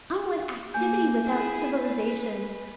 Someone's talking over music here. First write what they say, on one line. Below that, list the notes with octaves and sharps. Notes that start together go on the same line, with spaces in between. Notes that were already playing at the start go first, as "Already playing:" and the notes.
I want activity without civilization.
A#3 G#5 G6
E4 G#4
B4